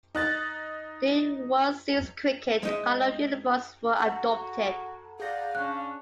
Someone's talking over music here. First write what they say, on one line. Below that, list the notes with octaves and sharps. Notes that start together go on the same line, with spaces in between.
During World Series Cricket, coloured uniforms were adopted.
D#4 F#6 A6
G#3 D#4 E5
F#4 A4 F#5
G#4 D5 F5 F#5 G6 A#6
C#4 D4 F#6